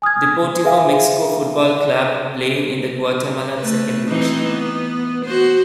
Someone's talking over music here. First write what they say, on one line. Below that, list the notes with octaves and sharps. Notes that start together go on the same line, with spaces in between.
Deportivo Mixco football club play in the Guatemalan second division.
G#5 D#6 F6 G#6
G#4 B4 E5 F5 G#5
A3 B4
E3 C4 D#4
B3
F#4 C5